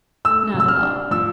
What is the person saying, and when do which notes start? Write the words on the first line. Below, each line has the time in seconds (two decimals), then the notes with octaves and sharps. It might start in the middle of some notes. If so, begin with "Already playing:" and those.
Not at all.
0.25 A3 E6
0.54 C3
0.60 E6
0.68 F6
0.82 D4
1.11 F3 E6